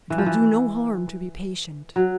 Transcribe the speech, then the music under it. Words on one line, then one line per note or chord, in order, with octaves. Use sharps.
It will do no harm to be patient.
E3
F3
E3
F#3